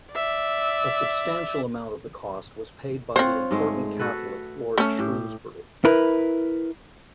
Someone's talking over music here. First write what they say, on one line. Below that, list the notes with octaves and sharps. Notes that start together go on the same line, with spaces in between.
A substantial amount of the cost was paid by the important Catholic Lord Shrewsbury.
D5 E5
C4 F4 C5 C#5 F#5
G#2 G#3 A3
F#4 A4 B4
A3 C#4 E5
A2 G4
E4 A#4 B4